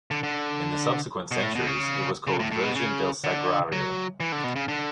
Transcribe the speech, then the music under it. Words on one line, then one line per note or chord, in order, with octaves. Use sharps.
In the subsequent centuries, it was called Virgen del Sagrario.
D3
D3
B2
A2
B2
C#3
C#3
A2
A2
B2
C#3
D3
F#3
E3
D3
B2
C#3
D3